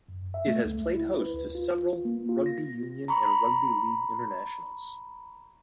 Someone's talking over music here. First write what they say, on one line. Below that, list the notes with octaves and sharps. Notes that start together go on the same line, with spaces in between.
It has played host to several rugby union and rugby league internationals.
F#2
E5
A3
C#2
E4
B4
D2
F4
A#3
F4
A#6
A#5 B5 C#6